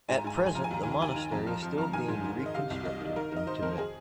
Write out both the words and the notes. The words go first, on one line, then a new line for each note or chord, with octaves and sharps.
At present, the monastery is still being reconstructed in Tibet.
G#2 G#5
A#5
G#2 G#5
F3 A#5
G#5
F3 A#5
G#5
D#2 A#5
D#3 G#5
A#5
D#2 G#5
D#3
F2 A#5
F3
F3
F3 A#5
D#3 G#5
G#2
D#3
D#3
D#5
C3 F5
C2
C2 D#5
D#3
D#3 A#4
D#3
D#5
D#3 C5
F2 A#4
G#4